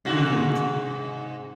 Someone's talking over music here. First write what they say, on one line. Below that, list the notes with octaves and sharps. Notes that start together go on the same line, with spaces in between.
Mhm. T
G#2 C3 F#4